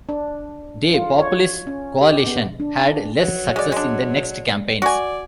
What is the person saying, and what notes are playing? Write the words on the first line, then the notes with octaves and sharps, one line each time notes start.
They Populist coalition had less success in the next campaigns.
D4
F4
C#5
C#4
G4
B3
D4
F#3
G#3 D5
G#3 D4
F#4 D5 G#5